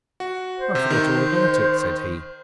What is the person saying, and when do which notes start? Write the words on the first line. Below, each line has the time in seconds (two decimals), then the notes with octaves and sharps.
'I forgot all about it,' said he.
0.20 F#4
0.60 C5
0.75 C3
0.90 D#3